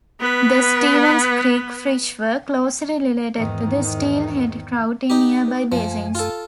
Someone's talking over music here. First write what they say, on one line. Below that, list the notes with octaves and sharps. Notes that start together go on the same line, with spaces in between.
The Stevens Creek fish were closely related to the steelhead trout in nearby basins.
B3 B4
E2 G#2 D#3
D#4 G4
B4
F#2 F3 A3 G#5
F4 A4